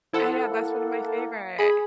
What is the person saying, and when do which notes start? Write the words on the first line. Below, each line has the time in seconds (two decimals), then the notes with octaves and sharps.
I know, that's one of my favorite.
0.13 F3 E4 A4 F#5
0.51 A#3
1.59 G#4 B5